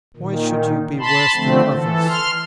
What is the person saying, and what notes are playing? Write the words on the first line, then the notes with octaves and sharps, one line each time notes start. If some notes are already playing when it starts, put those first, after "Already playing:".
"Why should you be worse than others?"
A#2 D#3
A5 B5 C6
D3 F3 A3 C4
E3 A4
C6 F6